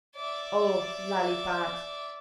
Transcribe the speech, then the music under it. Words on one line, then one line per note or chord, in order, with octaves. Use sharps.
Oh, lollypops!
D5 E5